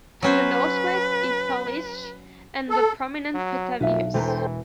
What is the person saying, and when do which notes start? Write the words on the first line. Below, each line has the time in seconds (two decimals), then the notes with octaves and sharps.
To the northwest is Palitzsch and the prominent Petavius.
0.22 F#3 C#4 B4 C5
2.70 A4
3.35 F#3
3.80 F1 B1 F4 B4 E5 F5
4.14 E1 E3 D4 A4 B4 C5 G5 A#5